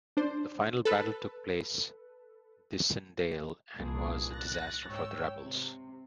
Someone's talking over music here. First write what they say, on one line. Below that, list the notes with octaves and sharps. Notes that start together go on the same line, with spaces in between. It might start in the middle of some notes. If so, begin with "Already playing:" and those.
The final battle took place at "Dussindale", and was a disaster for the rebels.
D4 C5
A4 B4
C2 A#2 E3 D4 G#4
F#6 A6 A#6
G#2 C#5 G5 E6
C3